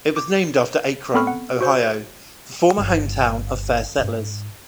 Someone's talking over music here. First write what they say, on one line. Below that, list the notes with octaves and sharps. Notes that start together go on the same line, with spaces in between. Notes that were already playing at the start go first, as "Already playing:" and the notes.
It was named after Akron, Ohio, the former hometown of first settlers.
D6
B3 C4 A4 B5 C#6 F6
F#5
F#4 C5
G1
G#2 C#4